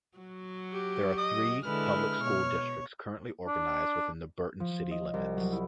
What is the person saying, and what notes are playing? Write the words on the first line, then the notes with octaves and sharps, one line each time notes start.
There are three public school districts currently organized within the Burton city limits.
F#3 F#4
G4
D#5 D#6
D3 G#3 E4 B4 F6
B2 C#5
D4
F3
D#5
C2
F#3
E4